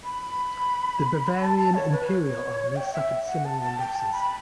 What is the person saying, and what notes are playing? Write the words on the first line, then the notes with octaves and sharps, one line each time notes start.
The Bavarian-Imperial army suffered similar losses.
B5
A5
A5
C#5
B4
C#5
G5
E5
F#5
A5
A5
G5
A5
B5